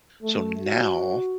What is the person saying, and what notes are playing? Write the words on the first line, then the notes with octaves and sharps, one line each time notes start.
so now,
A3
F#4